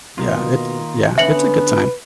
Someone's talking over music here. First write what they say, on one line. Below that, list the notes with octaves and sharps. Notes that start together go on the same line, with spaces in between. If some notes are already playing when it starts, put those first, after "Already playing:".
yeah, it yeah, it's a good time.
B2 D#3 A#3 F4
D3 B3 C#4 B4 E5 C#7 F#7